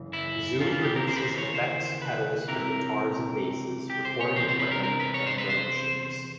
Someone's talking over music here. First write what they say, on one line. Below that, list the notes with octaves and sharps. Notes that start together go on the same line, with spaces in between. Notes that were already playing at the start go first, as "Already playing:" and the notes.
Zoom produces effects pedals for guitars and basses, recording equipment, and drum machines.
Already playing: F#2 C#3 E3
E4
D#2 C#3 E3 F4
F4
G4
A#4
C5
B4
C5
C#5
C5
B4
C#2 C3 E3 A#4
G4
C5
C#5
E2 C3 C5
C5
B4
A#4
A#4
B4
C#5
C5
B4
C5